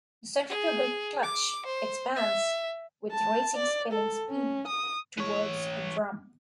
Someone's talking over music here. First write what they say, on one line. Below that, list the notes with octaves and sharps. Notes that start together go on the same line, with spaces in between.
The centrifugal clutch expands with raising spinning speed towards a drum.
G#4
D6
C5
E5
A5
D5
A4
C#4
D#6
E3 C#5